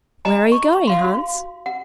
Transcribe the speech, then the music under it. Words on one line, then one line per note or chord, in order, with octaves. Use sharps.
'Where are you going, Hans?'
D#5 G#5 A#5
C#6
F5 C6
F#4
F#5